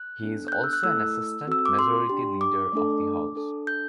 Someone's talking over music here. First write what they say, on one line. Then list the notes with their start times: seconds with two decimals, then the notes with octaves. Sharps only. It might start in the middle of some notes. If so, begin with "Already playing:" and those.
He is also an assistant majority leader of the House.
Already playing: F#6
0.21 B3 D4 A4
0.48 G6
0.52 F#6
0.64 E6
0.73 F#6
0.83 A3 E4 A4 E6
1.47 C4 F#4 A4 E6
1.66 D6
1.79 C6
2.09 D4 G4
2.41 D6
2.73 A3 D4 A4
3.36 D4 A4
3.67 G6